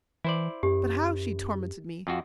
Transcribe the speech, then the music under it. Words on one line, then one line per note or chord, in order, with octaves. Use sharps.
But how she tormented me!
E3 E4 C5 D5
F#2 G4
F2 F4 F#4